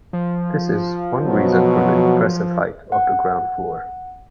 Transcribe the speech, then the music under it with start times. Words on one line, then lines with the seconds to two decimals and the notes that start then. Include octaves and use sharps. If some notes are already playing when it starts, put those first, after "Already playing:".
This is one reason for the impressive height of the ground floor.
0.13 F3
1.25 B2 F#3
2.92 F#5